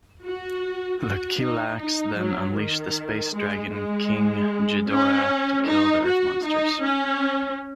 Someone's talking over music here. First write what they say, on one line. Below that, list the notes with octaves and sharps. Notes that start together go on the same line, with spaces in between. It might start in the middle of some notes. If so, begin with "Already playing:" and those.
The Kilaaks then unleash the space dragon King Ghidorah to kill the Earth monsters.
F#4
F#4
D#4
D#4
F#3
D#3
G#3
G#3
C#4
D#4
F#4
D#4
C#4